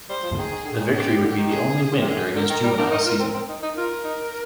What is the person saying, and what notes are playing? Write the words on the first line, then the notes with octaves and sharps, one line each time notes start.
The victory would be the only win during his juvenile season.
G3 C5
F3
D#3 G#4
D#3
D3
D#3
D3 G4
C3
D3
D#3
G#4
C3
D3 G#4
D3 A#4
D#3
G3
D4
D#4
F4
C4
C4
D#4
D#4
F4 A#4
D#4